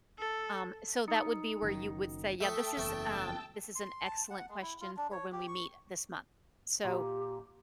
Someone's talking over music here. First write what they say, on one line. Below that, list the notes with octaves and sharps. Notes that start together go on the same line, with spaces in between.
um, so that would be where you would say, "Yeah, this is um, this is an excellent question for when we meet, uh, this month, so,
A4
D#4 D#6 C#7
F#1 D#3 F#3
A3 A4 E5 G5 A5 D#6 E6 B6
F#1 E2 A3
C6
A5
F#5
G#3
E4
F4
D4
C#5
G4
C#6
A#2 G4